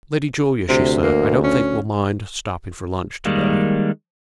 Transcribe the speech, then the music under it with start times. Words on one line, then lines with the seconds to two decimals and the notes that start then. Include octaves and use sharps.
"Lady Julia," she said, "I don't think we'll mind stopping for lunch to-day."
0.69 D2 C3
1.03 A#3
1.44 C#4
3.25 D#3 G3 G#3 A#3